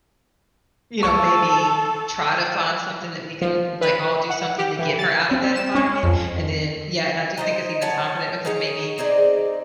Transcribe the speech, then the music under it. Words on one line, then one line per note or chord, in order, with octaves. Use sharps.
you know, maybe try to find something that we can, like, all do, something to get her out of that environment, and then, yeah, and I do think it's even time for that because maybe,
A4 C#6
F3
B4
F#5
G4
E3
A6
C4
E7
C#4
F2
D#4 C5 D#5
C#5 F#5 G#5 A5
D#4 G#4 C#5
C4 D#4 G#4 D5